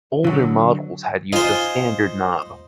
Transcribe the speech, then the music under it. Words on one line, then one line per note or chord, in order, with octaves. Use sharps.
Older models had used a standard knob.
D3 F#3
D#4 F4 C5 G#5